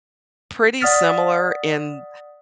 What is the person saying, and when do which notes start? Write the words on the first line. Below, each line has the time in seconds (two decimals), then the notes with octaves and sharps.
pretty similar in
0.80 D5 F#5 D#6 F6 A6 B6